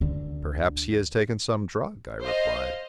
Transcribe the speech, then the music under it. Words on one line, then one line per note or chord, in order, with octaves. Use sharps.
"Perhaps he has taken some drug," I replied.
D2 D3
C5 D#5 F5